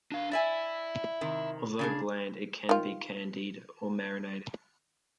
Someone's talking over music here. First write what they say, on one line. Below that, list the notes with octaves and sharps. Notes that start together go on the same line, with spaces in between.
Although bland, it can be candied or marinated.
D4 F5
E4 D5 E5 G#5
C3 D#3
C#3 D4 G#4
D#3 F4